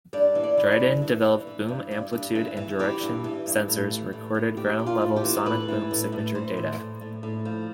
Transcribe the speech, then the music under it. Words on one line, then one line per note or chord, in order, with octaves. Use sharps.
Dryden-developed Boom Amplitude and Direction Sensors recorded ground-level sonic boom signature data.
G2 D5
E3
D5
E3
B4
G2
E3
E3
E3
G2
G2
G2
E3
E3
E3 G4
G2
E3
G2
A2
E3
A2
A2
E3 G4
E3
F4
A2
G4
E3
A2 B4
E3
A2
A2
E3 C5
A2
A2
A2
A2
F3